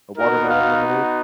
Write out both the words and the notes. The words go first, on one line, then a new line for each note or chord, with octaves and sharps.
a watermelon lemonade.
B3 D#4 F#4 A#4
F5